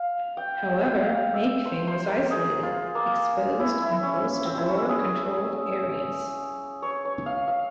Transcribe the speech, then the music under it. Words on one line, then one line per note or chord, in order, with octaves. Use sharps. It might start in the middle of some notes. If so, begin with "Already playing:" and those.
However, Mafeking was isolated, exposed and close to Boer controlled areas.
Already playing: F5
G5
G5
F5
E5
C5
C5
A#4
G#4
F4
A#3
E4
E4
C#4
C4
E4
C#4
G#4
C#5
C#5
F5
F5